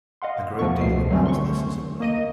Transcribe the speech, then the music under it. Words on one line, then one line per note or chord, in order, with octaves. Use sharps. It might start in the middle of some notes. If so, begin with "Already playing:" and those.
A great deal about this is unknown.
D#5 F5 F#5 C6
E2 F3 A3 B3 F4 C#6
C#2 B2 C7
D3 F#3 G3 A3 C4 C#4
C6 C#6
A#3 D#5 D#7